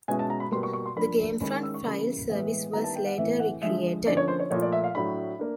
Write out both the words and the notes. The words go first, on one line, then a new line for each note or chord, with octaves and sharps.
The GameFront file service was later recreated.
B2 G#3 C#4 E4 G#5
A5
A#5
B5
B2 G3 A#3 C6
C#6
C#6
C6
F3 A#3 D4 B5
D#3 G#3 C#4 E4 B5
E6
C#6
C#3 E3 G3 A#3 B5
A2 E3 G#3 B3
D#3 G3 B3 E4 A#5
A5
G5
F#5
A2 E3 A3 C4 E5
F#5
D3 F3 G#3 E5
D3 F3 A#3 C#4 D5
C#5
C5
C#5
A#2 F3 A3 C#5
D5
E5
F5
A2 F#3 A3 D4 B5
A#3 D4